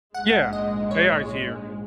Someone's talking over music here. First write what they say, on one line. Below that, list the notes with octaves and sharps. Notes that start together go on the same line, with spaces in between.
Yeah, AIs here.
A#1 G#2 G#3 F#5
D#5
C#5